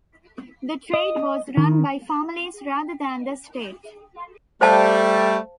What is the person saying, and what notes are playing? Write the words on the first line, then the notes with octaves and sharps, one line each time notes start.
The trade was run by families rather than the state.
D#5
D#3
G3 A3 C5 F5 A5